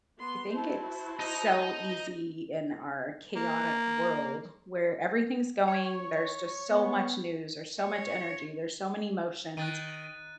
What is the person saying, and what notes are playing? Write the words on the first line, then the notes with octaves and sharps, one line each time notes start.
I think it's so easy in our chaotic world where everything's going, there's just so much news or so much energy, there's so many emotions
B3 C6
E4 F#4 C5 A5
D#4 D#5
A#3
C#5
B3
C#5
D#3 F#6 A6 D#7